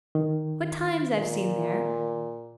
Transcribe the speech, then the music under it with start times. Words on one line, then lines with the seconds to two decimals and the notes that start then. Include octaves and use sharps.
'What times I've seen there!
0.15 D#3
1.16 A#2